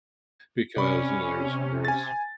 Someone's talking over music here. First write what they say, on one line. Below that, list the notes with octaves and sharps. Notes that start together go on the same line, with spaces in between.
because, you know, there is there is
C3 C#4 D5 B5 C#6
G#5 A6